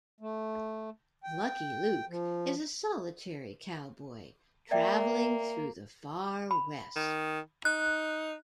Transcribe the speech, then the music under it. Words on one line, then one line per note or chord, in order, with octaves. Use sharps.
Lucky Luke is a solitary cowboy traveling through the Far West.
A3
G5
F3
A#3 D5 E5 G5
B5
D#3
D#4 F#6